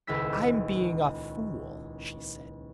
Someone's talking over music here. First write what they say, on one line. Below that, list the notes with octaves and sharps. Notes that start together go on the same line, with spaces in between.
"I'm being a fool," she said.
D#1 C#2 E4 E6 B6